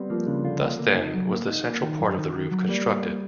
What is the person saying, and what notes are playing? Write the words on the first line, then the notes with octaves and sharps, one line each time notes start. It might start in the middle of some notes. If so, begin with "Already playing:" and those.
Thus, then, was the central part of the roof constructed.
Already playing: G3 B3 C4
F3 A#3
C#3 D4
D3 F4
A#3
A#3
D#4
F#3
A#3
D#4
A#3
D#3
F#2
D#3
D#3
F#3
G3 A#3
A#3
A#3